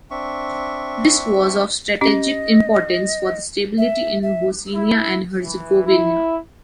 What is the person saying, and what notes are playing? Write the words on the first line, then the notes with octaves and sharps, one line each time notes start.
This was of strategic importance for stability in Bosnia and Herzegovina.
C4 D4 E5 C#6
C#4 G4 D#5
E5
E5
E4
E3
E4